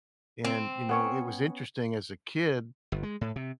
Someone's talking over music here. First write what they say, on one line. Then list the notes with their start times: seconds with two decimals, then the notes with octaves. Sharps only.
and, you know, it was interesting as a kid,
0.45 C4
0.89 B3 C#4 C#5
2.92 G1
3.03 G#3
3.21 A2
3.36 C3